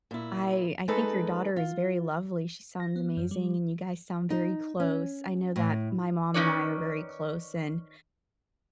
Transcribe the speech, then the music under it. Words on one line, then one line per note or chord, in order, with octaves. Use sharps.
I I think your daughter is very lovely, she sounds amazing, and you guys sound very close. I know that my mom and I are very close, and
A#2 E4
G#3 A3 D#4 A4 B4 D#5
F4
A#6
B3
F#2
G3
D#4
C#4
A2
D#3 C#4 D#4 B4 C#5 D5